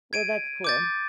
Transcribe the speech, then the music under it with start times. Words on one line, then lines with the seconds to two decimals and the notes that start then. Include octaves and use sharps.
Well, that's cool.
0.13 G#6 D7 D#7
0.64 D6 G6 A6